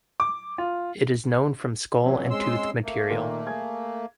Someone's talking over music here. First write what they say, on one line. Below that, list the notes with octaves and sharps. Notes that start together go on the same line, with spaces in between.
It is known from skull and tooth material.
D6
F4
A#2 E3 F#3 C4 C#4
G#3 C6 E6
A3 A#3
A#2 D#3
G#4 G#6